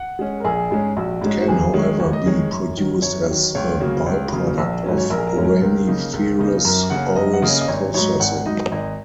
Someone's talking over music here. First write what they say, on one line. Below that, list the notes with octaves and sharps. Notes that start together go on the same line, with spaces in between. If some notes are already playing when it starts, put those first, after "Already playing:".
It can however be produced as a by-product of uraniferous ores processing.
Already playing: F#5
G#3 C#4
A#4
A#1 G#4
G#2 G#3 C#4
A#1 F#4
G#2 G#3 C#4 F#4
F#4
D#2 G#4
D#3 G#3 C#5
D#2 C#5
D#5
D#3 G#3 C#5
F#2
D#3 F#3
F#2 C#5
D#3 F#3
C#2 C#5
C#3 F#3 A#3 C#5
C#2
C#3 F#3 A#3
A#1
G#2 F#3 C#4
C#5
A#1 A#4
G#4
A#4
G#2 F#3 C#4
A#4
C#2
C#3 A#3 D#4
C#2
C#3 A#3 D#4
F#2 A#4
C#3 A#3 C#4 F#5
F#2 D#5
F#5
C#3 A#3 C#4 D#5
D#5
G#1 C#5
G#2 F#3 D#4 C#5
G#1 F#5
G#2 F#3 D#4 D#5
G#1 D#5